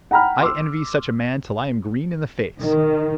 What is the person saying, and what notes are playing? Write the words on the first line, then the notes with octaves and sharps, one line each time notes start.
I envy such a man till I am green in the face.
F#5 G5 A#5 B5 F6
C6 D6 E6
D#3